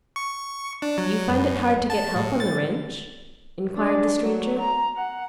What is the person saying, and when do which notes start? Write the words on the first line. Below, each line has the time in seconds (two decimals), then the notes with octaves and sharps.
"You find it hard to get help on the ranch?" inquired the stranger.
0.16 C#6
0.82 D4
0.98 F#3
1.13 F#3
1.29 F#2
1.90 A5
2.16 A2
2.40 A6
3.76 D4
4.23 F#3
4.59 A#5
4.97 F#5